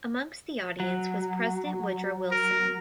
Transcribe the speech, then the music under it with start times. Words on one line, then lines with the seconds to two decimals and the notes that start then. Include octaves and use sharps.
Amongst the audience was President Woodrow Wilson.
0.80 F#3
2.31 A#4